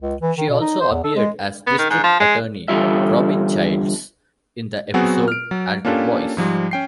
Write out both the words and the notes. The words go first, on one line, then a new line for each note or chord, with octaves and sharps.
She also appeared as District Attorney Robin Childs in the episode "Alter Boys".
C#2
E3
D#3
B2
D#4
C5
E2
A4
G#3
B3
D#3
G#2
F3
G#3
E2 D3 G3 F4 E5
F#3 B3 C4 F#4 G#4
F6 D7
F#3
A#3 C#4 D4 F4 G4 A4
G#2 F3 G3
C#4 G5 C7